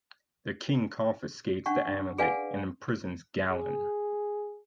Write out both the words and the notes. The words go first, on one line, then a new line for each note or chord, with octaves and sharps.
The king confiscates the amulet and imprisons Galen.
C#4 D4 F#5 C#6
G#4 B4 D5 F5 F#5 G#5
G#4